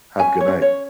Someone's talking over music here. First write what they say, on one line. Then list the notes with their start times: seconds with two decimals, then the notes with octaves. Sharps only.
Have a good night.
0.19 C#4 G#5
0.41 C#5
0.48 C#4
0.62 C#5